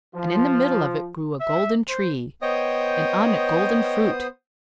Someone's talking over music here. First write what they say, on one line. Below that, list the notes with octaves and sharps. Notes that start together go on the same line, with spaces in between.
And in the middle of it grew a golden tree, and on it golden fruit.
F3
E5
C5
B3 C5 C#5 D#5 G5 D#6